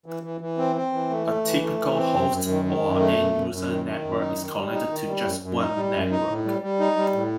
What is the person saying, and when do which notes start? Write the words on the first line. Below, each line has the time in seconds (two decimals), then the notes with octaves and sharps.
A typical host or end-user network is connected to just one network.
0.06 E3
0.23 E3
0.41 E3
0.58 C4
0.76 C4
0.93 E3
1.10 A3
1.27 A3
1.44 E3
1.62 A3
1.79 E3
1.97 C4
2.14 F#2
2.30 F#2
2.49 D#3
2.65 D#3
2.83 F#2
3.00 A3
3.17 F#2
3.34 F#2
3.51 F#2
3.69 D#3
3.86 D#3
4.04 F#2
4.20 D#4
4.37 D#3
4.56 G3
4.73 D#4
4.90 D#3
5.07 G3
5.24 F#2
5.42 F#2
5.59 D#4
5.76 G3
5.93 F#2
6.11 D#4
6.28 A2
6.45 G3
6.62 G3
6.80 D#4
6.96 G3
7.14 A2